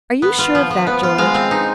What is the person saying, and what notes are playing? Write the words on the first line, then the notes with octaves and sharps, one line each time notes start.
"Are you sure of that, George?"
B3
F4
F3
F3
B3
F4
G#3 F5
C4
D#4